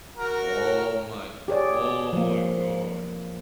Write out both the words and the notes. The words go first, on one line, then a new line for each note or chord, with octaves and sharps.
Oh my oh my god.
F#4 A#4
G4 G#4 C#5 D5
F3 A#3